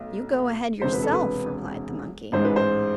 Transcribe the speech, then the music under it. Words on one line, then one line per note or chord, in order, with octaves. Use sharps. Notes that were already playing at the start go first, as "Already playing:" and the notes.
"You go ahead yourself," replied the monkey.
Already playing: B1 B2 A3
E1 D2 C3 C5
B4
A4
B4
A1 G#2 G#3 C5
B4
C5